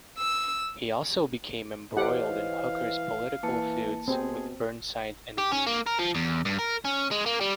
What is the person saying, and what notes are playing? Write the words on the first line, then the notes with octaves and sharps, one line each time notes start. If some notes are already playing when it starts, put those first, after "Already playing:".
He also became embroiled in Hooker's political feuds with Burnside and Meade.
E6
E3 G4 C5 C#5 D#5 F5 F#5
E3 A#3 A5 C#7
B2 C4 G#4
G4
C#4
A#3
A#4
F3
E2
G2
A#4
C#4
G#3
A#3
G3